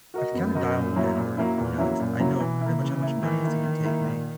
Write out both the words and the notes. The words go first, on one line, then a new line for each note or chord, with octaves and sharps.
I've kind of dialed it in where, you know, it's I know pretty much how much money it's going to take me,
F#4 A#4 D#5
F#2 B3
F#4 A#4 D#5
A#2
F#3 A#3 C#4 E4
A#2
F#3 A#3 C#4 E4
E2 A#2
F#3 A#3 C#4 E4
F#2 A#2
F#3 A#3 C#4 E4
B2 E3
A#3 E4
C#3 E3
A#3 E4
D#3 E3
A#3 E4
E3
A#3 E4
A#2